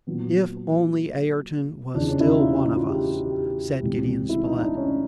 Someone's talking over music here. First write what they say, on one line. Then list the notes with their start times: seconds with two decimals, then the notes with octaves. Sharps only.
"If only Ayrton was still one of us!" said Gideon Spilett.
0.07 A#2 F#3 B3
1.95 E2 C#3 F3 D4
2.10 C#4
2.20 E4
2.26 D#4
2.41 F4
2.54 F4
2.65 E4
2.76 F4
2.89 G4
3.01 F#4
3.13 F#4
3.24 G4
3.82 C#2 C3 E3 G3 C4
4.29 E4
4.46 D#4
4.61 D4
4.77 C#4